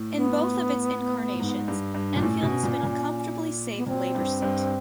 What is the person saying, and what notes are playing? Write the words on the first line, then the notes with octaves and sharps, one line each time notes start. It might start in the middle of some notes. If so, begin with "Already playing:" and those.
In both of its incarnations, Enfield has been a comfortably safe Labor seat.
Already playing: A2
B3
A2
G#2
G2
G2
D4
A#2
A2 C#4
B2
A#2
A#2
B3
A#2 C4
G2
G2